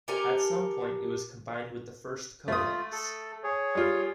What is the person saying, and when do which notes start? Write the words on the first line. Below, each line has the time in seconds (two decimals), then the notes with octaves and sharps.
At some point it was combined with the first codex.
0.08 G4 A4 A#4 G#5
2.48 A3 F4 D#6
2.92 A4
3.44 G#4 C#5
3.75 G3 F4